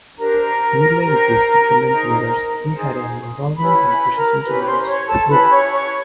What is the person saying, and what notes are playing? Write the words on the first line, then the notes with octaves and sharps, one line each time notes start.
Midgley refused to comment whether he had any involvement in processing Wang's will.
D4 G4 A#4 C5 A#5
D4 G4 C5
D#4 G#4 C5
D#4 G#4 C5
C#4 E4 G4 B4 B5
B4 B5
A#4 A#5
C#4 E4 G4 B4 B5
B5
C5 C6
C#5 C#6
A4 A5
C#4 E4 G4 B4 B5
C#5 C#6
C#5 C#6